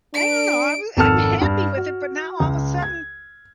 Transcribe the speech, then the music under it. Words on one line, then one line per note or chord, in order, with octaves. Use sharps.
I don't know I'm I'm happy with it but now all of a sudden,
D4 D7
G#1 F2 A4 A5 F6 E7
G2
F#4
C#2
G#6